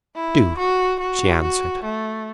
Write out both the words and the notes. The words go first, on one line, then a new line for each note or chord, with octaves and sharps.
"Do," she answered.
E4
F#4
F#4
F#4
A3